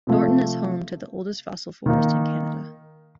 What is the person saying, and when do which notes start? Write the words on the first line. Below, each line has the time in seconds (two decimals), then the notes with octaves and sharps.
Norton is home to the oldest fossil forest in Canada.
0.07 C3 F3 A3
1.86 D#3 A#3 D#4